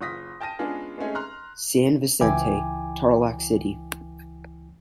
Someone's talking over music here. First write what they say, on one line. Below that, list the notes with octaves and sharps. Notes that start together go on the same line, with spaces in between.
San Vicente, Tarlac City.
F#1 F4 D#6 A#6 B6
G5 A5 F6 A#6 D#7
G#3 B3 C#4 D4 F4 G#4
G#3 A3 C4 C#4 D#4 G#4
A#5 C6 F6 F#6
C#2 E3 E4 G5 G#5 D6